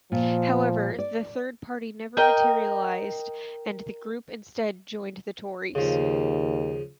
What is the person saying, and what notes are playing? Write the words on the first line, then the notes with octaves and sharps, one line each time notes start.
However, the third party never materialised and the group instead joined the Tories.
A#2 F3
D5
A#4 D#5 G5
D#2 C#3 F3